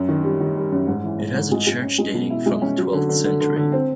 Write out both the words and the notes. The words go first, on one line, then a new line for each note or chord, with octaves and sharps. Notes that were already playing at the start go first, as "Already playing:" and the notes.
It has a church dating from the twelfth century.
Already playing: F#2
D#3
G3
D#3
G3
F#2
G#2
E3
G#2
G#2
G#3
G#3
C#4
G#3
B2
E4
G#3
C#4
F#3
D3
D3
D3
D3
D3
C4